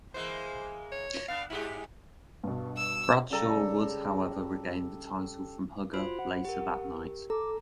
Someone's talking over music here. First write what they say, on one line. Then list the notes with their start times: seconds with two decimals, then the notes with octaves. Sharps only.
Bradshaw would, however, regain the title from Hugger later that night.
0.15 E3 G#3 A#3 C5
0.92 C#5
1.28 B3 D4 F5
1.50 G2 E4 G4 G#4
2.43 G2 B2
2.77 E6
3.30 C#3 G3 A4 A#5
5.94 F4 F#4 C5 B5
6.19 F#5
6.45 G4 A#4
7.30 A4 A#5 D6